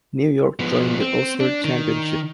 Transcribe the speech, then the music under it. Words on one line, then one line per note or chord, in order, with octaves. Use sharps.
New York joined the Ulster Championship.
F3 B3
C4
D4
D#3